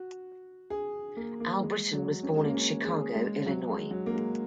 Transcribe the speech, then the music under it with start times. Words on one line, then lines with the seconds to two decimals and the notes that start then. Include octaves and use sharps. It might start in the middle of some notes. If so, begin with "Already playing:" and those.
Albritton was born in Chicago, Illinois.
Already playing: F#4
0.70 G#4
1.17 A#3
1.40 A#3
1.63 G#3
1.93 F#3
2.23 C#4
2.36 G#3
2.45 A#3
2.54 C#4
2.85 G#4
3.15 G#3
3.46 F#3
3.69 G#3
3.91 F#3
4.06 A#3
4.15 G#3